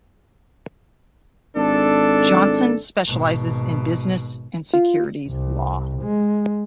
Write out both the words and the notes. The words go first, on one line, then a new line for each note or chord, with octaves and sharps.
Johnson specializes in Business and Securities law.
G#1 D4 A4
G#1 B2
F4
C2
G#3